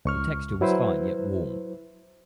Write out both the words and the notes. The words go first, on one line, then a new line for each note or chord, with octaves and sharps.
The texture was fine yet warm.
C#2 C#6 F6
F#3 E4 B4 C5